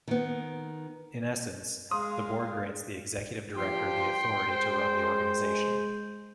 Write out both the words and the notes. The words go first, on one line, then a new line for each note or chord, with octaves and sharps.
In essence, the board grants the executive director the authority to run the organization.
D#3 B3
G#3 F5 C6 D#6
G2 A#2 F3 G4 G5 C6
G#3 C5